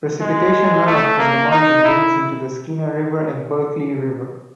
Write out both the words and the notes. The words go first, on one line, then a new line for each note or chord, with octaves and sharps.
Precipitation runoff from the mountain drains into the Skeena River and Bulkley River.
G#3
A3
A#3
D#4
E4